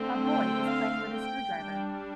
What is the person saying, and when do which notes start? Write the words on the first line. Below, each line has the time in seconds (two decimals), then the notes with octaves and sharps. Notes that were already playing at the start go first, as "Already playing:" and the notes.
A boy is playing with a screwdriver.
Already playing: D3 A3 C4
0.25 G5
0.68 F5
1.10 G5
1.53 G3 D4